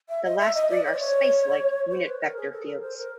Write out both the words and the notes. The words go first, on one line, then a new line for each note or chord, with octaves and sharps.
The last three are "spacelike" unit vector fields.
E5
D#5
E5
D#5
D5
C#5
C5
C#5
C5
B4
A#4
G#4
A4
A#4
C5
A#4